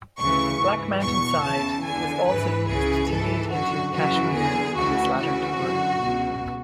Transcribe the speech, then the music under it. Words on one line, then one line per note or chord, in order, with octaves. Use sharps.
"Black Mountain Side" was also used to lead into "Kashmir" on this latter tour.
D2 C#3 E3 C#6
G#2 E3
E2 B2 C#6
E2 C#3 E3 A5
E2 D3 G#5
G#2 E3 B4
C#2 C#3 E3 G#4
G#2 E3 A4
F#2 D3 F#4
F#2 C#3 E3 F#4
E2 D3 G#4
D2 C#3 E3 F#4
D2 C#3 E3 F#4
F#2 D3
C#2 B2